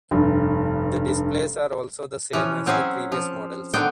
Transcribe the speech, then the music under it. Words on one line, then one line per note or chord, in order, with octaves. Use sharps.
The displays are also the same as the previous models.
F1 G2
E3 F3 C#4
F#3 C4 C#4 G#4 E5
F3
D3 D#3 B3 C4 G5